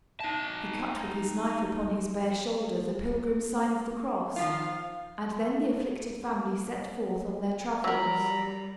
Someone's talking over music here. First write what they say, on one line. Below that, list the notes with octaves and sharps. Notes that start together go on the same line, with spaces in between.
He cut with his knife upon his bare shoulder the pilgrim's sign of the cross, and then the afflicted family set forth on their travels.
D#4 A5
D#3 F3 F4 F5
F#3 G3 A#4 A#5 B5